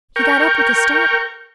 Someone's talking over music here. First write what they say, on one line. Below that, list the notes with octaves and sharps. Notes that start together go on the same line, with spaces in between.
He got up with a start.
A#4 G5 C#6